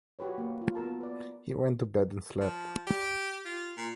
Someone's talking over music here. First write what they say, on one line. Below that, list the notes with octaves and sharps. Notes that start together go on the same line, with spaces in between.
He went to bed and slept.
F#4 G4 B4 C#5
A#3
F4
B3 F#4 A#4 A5
B4 D5
F3
G4
F4
A#2